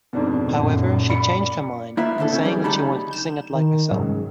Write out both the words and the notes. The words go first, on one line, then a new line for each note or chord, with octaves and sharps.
However, she changed her mind, saying that she wanted to sing it like herself.
F2 G#2 B2 D4
F#2 A#2
D5 B5 C#7
A#3 E4 F4 B4 E5
D2 G#2 C#3 D4 A4
C4 C#4
F#3 G3 G#4 D5
D2 C#3 D#4 G4 A5 B5
G6 E7
D#3
G#2 C#3 F#3 G#3